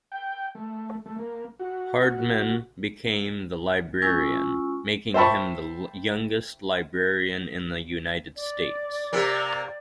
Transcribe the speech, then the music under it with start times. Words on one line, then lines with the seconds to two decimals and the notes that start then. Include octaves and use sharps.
Hardman became the librarian, making him the youngest librarian in the United States.
0.12 G5
0.55 A3
1.06 A3
1.19 A#3
1.59 F#4
4.02 G#3 C#4 E4 F4 G#5 C#6
5.14 C5 E5 G5 A5 B5 C#6
8.36 D5
9.13 C3 A#3